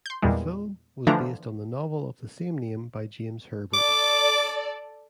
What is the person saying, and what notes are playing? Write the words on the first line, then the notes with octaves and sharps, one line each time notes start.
The film was based on the novel of the same name by James Herbert.
C6 G6
E2 A#2 G3 G#3
D3 E3 F3 A3 D4 A#5
A4 D5 D6